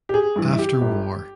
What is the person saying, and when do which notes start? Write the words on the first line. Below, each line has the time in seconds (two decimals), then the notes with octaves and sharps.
After war.
0.09 G4
0.14 G#4
0.36 G2 E3
0.53 E4
0.59 G4
0.81 G1